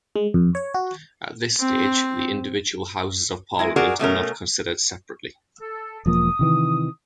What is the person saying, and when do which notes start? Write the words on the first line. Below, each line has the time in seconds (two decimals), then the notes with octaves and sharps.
At this stage, the individual houses of parliament are not considered separately.
0.16 G#3
0.34 F2
0.55 C#5
0.74 F#4
1.60 C4
3.59 G#3 E4 A#4
3.76 F#4 G#4 A#4 D5
3.99 B2 A3 C#4 A#4
5.61 A4
6.06 E1 F3 A#3 D#6
6.39 C3 D#3 E3